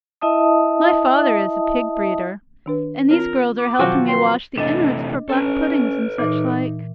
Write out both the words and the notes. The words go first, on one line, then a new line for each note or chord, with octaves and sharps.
"My father is a pig-breeder, and these girls are helping me wash the innerds for black-puddings and such like."
E4 D#5 E5 A5 D#6
D#3 D4 B4
C4 F4 A#4 C#5
D6
B2 D#3 F3 F#3 C4 F#4
B4 C#5 G5 C6
C3 E3 A3 D4 D#5 A6
C#4 A4 B4
A#2 E3 D#4